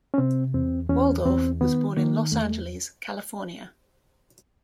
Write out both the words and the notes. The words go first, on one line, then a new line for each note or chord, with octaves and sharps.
Waldorf was born in Los Angeles, California.
C#4
C3 C4
E2 C4
E2 C#4
E2 C4
D#3 B3
D#3 A#3
E2 A3